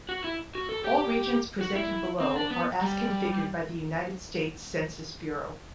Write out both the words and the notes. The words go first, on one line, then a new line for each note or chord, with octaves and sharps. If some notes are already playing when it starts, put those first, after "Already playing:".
All regions presented below are as configured by the United States Census Bureau.
F#4
E4
F#4
A4
G4
F#4
E4
C4
D4
B3
G3